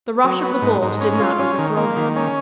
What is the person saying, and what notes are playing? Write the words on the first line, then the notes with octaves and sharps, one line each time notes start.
The rush of the bulls did not overthrow him.
F#3
B3
G#2
G#2
C#4
F4
C#4
D#3
A#3
D#3
C#4